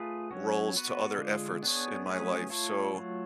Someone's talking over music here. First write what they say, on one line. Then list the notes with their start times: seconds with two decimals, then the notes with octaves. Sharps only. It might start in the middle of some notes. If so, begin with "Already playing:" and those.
rolls to other efforts in my life, so
Already playing: A3 F4 G#4 B4
0.31 F#3 C#4 F#4
0.75 B3 F#4 B4
1.18 D3 G#3 D4 F4
1.62 B3 D4 G#4 C#5
2.06 F#3 A3 C#4 G#4 B4
2.49 A3 F4 A4 C#5
2.94 F#3 A3 F4